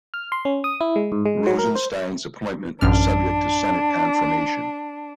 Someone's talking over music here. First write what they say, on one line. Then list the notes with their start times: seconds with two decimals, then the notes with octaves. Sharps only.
Rosenstein's appointment was subject to Senate confirmation.
0.14 F6
0.32 C6
0.45 C#4
0.64 D#6
0.81 E4
0.96 G#3
1.12 G#2
1.26 G#3
1.47 F#3
1.59 A#4
1.75 C5
2.81 A1 F#2 D4 F6